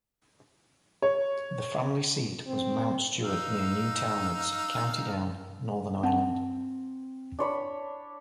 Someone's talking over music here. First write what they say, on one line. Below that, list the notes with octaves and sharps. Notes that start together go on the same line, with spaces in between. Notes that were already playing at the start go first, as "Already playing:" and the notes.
The family seat was Mount Stewart near Newtownards, County Down, Northern Ireland.
C#5
C4
D#4 F5 E6
C4 F#5 A5
D4 C#5 B5